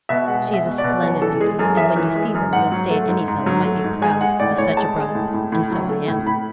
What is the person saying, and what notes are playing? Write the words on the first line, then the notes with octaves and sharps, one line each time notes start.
She is a splendid beauty, and when you see her you'll say any fellow might be proud of such a bride; and so I am.
B2 E5
G#3 F#5
G#3
E5
B2
D5
B2
F#2 C#5
E3 A4
G#3 G#4
F#2 A4
F#2 E5
E3
G#3
F#2
G#2 F#5
F#3
A3
G#2
G#2
F#3
A3
G#2
G#3 G#5
G#3 F#5
A2 D5
A2 C#5
G#3 A5
G#3
A2
A2
A2
F#3
A3
A2
A2 B5